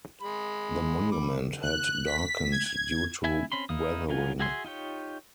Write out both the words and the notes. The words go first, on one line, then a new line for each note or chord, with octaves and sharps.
The monument had darkened due to weathering.
G#3 B5
B5 D6
F#6
B6
G#6
E4 E5 G#5
C4 C#4 B5 C6
D#4 E4 F5 D#6
C#3 F#3 F4 G#5
F#4 G#4 E5 G#5 C6
D#4 F4 G4 C#5